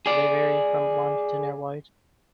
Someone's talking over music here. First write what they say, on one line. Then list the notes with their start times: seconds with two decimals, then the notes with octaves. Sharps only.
They vary from blonde to near-white.
0.06 G#4 D5